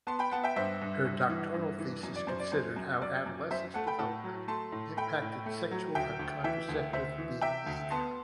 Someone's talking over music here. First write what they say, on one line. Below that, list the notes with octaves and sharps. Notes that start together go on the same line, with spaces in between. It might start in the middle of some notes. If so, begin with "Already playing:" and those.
Her doctoral thesis considered how adolescent development impacted sexual and contraceptive behaviour.
B3 A5 C6
G5 B5
B3 F#5 A5
E5 G5
G2 C5 E5
G2
G2
E3
G2
E3
F#2
D5
F#2 C5
D5
F#2 C5
F#2
F#2 D5
F#2
F#2 C5 E5
A3 F#5 A5
G5 B5
A2 F#5 A5
F#3
A3 A5 C6
A2
A3 G5 B5
A2
A3
F#3
D2 E5 G5
D2
E3 E5 G5
D2
D2 C5 E5
E3
C3 E5 G5
D2
B3 A5 C6